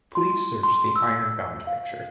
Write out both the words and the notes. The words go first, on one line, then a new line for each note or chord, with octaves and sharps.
Please search the Ironbound picture.
C6
C6
E6
F5